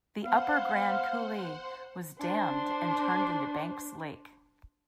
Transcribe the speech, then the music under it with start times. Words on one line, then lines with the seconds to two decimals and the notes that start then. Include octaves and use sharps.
The Upper Grand Coulee was dammed and turned into Banks Lake.
0.25 B3 C5 F5 F#5 C6
2.20 D4 C5